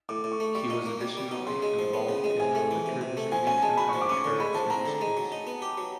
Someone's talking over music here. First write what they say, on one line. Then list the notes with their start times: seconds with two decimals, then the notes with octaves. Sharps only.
He was additionally involved in the liquor distribution and insurance industries.
0.09 A2 D6
0.24 A2
0.32 C#6
0.40 A3
0.55 G3 C#6
0.70 D#4
0.86 A#3
1.01 G3
1.17 G3
1.31 D#4
1.47 C#3 C6
1.62 G#3
1.79 F3
1.94 B3
2.09 C#3
2.24 G#3
2.40 C3 G#5
2.55 A3
2.71 E3
2.86 C3
3.01 C3
3.17 A3
3.32 F3 G#5
3.47 C#4 G#5
3.62 G#3 A5
3.77 F#4 B5
3.89 C#6
3.93 F3
4.02 D6
4.09 C#4 C#6
4.24 D3
4.40 G#3 B5
4.55 F3 A5
4.70 C4 A#5
4.86 D3
5.01 G#3
5.17 F#3
5.32 D#4
5.47 B3
5.62 G4
5.78 F#3